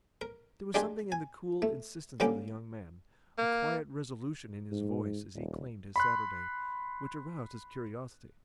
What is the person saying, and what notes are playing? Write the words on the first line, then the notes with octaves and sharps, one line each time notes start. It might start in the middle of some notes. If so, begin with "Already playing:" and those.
There was something in the cool insistence of the young man, a quiet resolution in his voice as he claimed his Saturday, which aroused his curiosity.
A#4
D4 F4 G4 G#4 D#5
G#5
A3
D3 G3 A#3 C#4 G5 D6
A#3
G#2
D#1
B5 C6 F#6